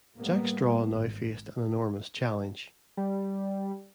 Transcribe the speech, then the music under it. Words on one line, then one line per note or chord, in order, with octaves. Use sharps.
Jack Straw now faced an enormous challenge.
A2 G3 A#3 B3
G#1
G3